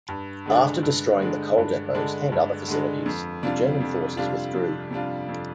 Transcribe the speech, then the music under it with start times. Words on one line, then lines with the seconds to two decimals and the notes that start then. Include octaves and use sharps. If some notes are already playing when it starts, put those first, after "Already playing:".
After destroying the coal depots and other facilities, the German forces withdrew.
0.09 G2
0.46 D3 G#3 D4
0.83 G2
1.20 D3 G#3 D4
1.58 G2
1.95 D3 G#3 D4
2.32 G2
2.68 D3 G#3 D4
3.06 F2
3.43 C3 G3 D4 F4
3.80 F2
4.17 C3 G3 D4 F4
4.54 F2
4.90 C3 G3 D4 F4
5.28 F2